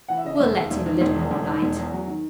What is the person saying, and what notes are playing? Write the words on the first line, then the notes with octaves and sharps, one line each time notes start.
We'll let in a little more light.
E3 F#5
E5
C#3 D#5
E1 E5
D#2
E1
D#3
E1
E2
E1
D#3
E1
E2
F#3
D#3